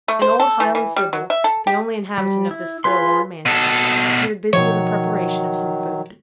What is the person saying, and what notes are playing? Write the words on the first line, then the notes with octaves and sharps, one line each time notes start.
An old Highland sibyl, the only inhabitant of this forlorn mansion, appeared busy in the preparation of some food.
A3
C5
A4
E3
E3
G3
F#3
E5
A4
G4
G3
E4
F4 G#4 B4 C6
B2 A4
B2 D#3 F3 F#3 C#5